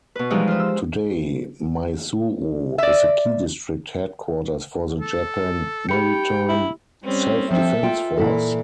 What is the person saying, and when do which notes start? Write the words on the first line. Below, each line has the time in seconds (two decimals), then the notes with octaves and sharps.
Today, Maizuru is a key district headquarters for the Japan Maritime Self-Defense Force.
0.15 B2 B4
0.30 E3 F3 G3 G#3 D#4 E4
0.48 F4 C5
0.59 E6
2.78 D5 E5
5.01 A4
5.89 G4 G5 B5 C#7
6.49 E4
7.03 G3 C4 C#4
7.51 F3 C4 A4 E5
7.83 F4 G5
8.17 A#2 E3 E4 A4